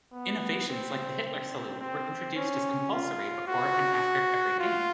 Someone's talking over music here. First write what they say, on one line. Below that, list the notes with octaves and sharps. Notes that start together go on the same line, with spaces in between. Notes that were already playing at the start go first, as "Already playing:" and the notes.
"Innovations" like the Hitler salute were introduced as compulsory before and after every game.
B3
C4
C4
C4
C#4
F4
F#4
F4